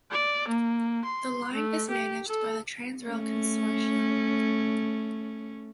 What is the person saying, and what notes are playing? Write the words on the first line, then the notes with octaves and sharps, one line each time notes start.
The line is managed by the Transrail consortium.
D5
A#3
C6
A3
G4
A4
A3 C#4